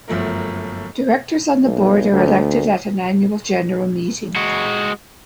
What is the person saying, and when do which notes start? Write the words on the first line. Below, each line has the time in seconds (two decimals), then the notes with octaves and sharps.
Directors on the Board are elected at an Annual General Meeting.
0.08 G1 F#2 F3 A3 A#3 A#4
1.64 B1
2.12 D2
4.36 G#3 F#4